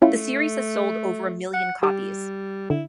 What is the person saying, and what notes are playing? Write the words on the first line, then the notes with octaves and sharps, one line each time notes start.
The series has sold over a million copies.
A3 C#4 E4 F4
F#5
G3 G4 G5 D6
D3 E4